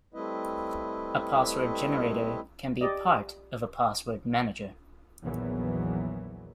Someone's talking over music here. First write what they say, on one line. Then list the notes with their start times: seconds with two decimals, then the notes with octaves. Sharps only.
A password generator can be part of a password manager.
0.14 G3 A3 C4 E4 B4 D#5
2.81 G4 D5 D#5
5.23 A#1 E2 D#3 E3 F#3 B3